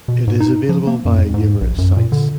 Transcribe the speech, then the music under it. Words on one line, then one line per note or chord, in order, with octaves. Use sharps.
It is available via numerous sites.
B2
G#2
D#4
F3
A#3
F#2
F2
G#2
A#1
F#2
A#2
D3